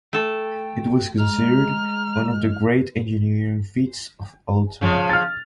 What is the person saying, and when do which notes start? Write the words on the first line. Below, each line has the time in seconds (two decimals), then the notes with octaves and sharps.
It was considered one of the great engineering feats of all time.
0.13 A3 A4 G5
1.19 G#3 A#5 F6
4.81 C#3 F3
5.09 F6 A6